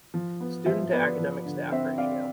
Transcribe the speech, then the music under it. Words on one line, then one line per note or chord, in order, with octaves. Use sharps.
Student to academic staff ratio.
F3
B3
F3 C5 E5
B3 B4 D5
F3
D3
C4 C5 E5
C4 D5 F5